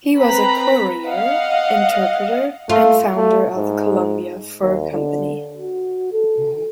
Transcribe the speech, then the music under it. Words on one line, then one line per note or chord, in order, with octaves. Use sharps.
He was a courier, interpreter, and founder of the Columbia Fur Company.
C4 B4 A#5 B5 B6
D#5 F5 F#5
A3 F4
A3
G#2
D#2
D3
F#4
A4